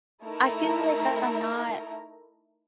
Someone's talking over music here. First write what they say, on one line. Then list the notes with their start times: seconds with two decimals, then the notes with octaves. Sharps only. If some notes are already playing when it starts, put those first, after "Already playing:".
I feel like I'm not
0.23 A3 D#4 E4 A#4 A#5